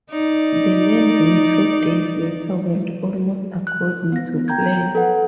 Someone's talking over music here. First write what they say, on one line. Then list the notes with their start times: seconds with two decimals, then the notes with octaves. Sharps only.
The landing two days later went almost according to plan.
0.10 D#4 D5
3.67 F#6
4.12 B3 A#6
4.48 G5 A#5 G6 G#6
4.95 A4 B4 F#5